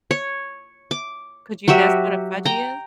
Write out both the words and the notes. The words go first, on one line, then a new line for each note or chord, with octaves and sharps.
Could you guess what a "fudgy"
C#5
D6
F#3 F#4 G4 E5
G5 A#5